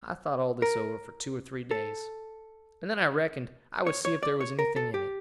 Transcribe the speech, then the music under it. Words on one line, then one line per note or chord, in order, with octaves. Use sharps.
I thought all this over for two or three days, and then I reckoned I would see if there was anything in it.
A#4
A4
C#5
C#5
D5
C#5
A#4
A4
G4